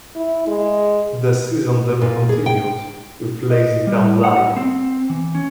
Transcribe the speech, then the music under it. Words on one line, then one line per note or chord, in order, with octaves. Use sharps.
The Season then continued, with LazyTown Live!
E4
G#3
A#2
G#4
G5
D#5
G3
F#5
C4
E3
C#4